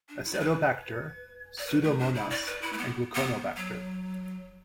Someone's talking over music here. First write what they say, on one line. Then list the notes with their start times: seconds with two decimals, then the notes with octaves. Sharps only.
"Acetobacter", "Pseudomonas" and "Gluconobacter".
0.09 D4
0.25 E4
0.33 D5
0.40 B4
1.58 D5
1.67 B4
1.83 A3
1.99 D4
2.15 E4
2.30 D5
2.47 B4
2.62 E4
2.73 A3
2.78 B3
3.15 B3
3.56 F#3